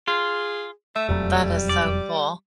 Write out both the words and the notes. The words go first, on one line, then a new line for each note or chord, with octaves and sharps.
That is so cool.
F4 G#4
A3 E5
E1 F2 F#3 G3
D5